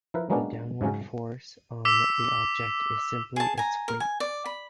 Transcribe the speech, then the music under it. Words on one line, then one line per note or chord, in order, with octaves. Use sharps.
The downward force on the object is simply its weight.
F3 E4 A#4 B4
F#3 G#3 A#3 B3 C#4 D4
G#2 C#3 F#3 C#4
D6 E6 B6 E7
G#4 A5
G#5 A#5
A#4
G#5
D5
B5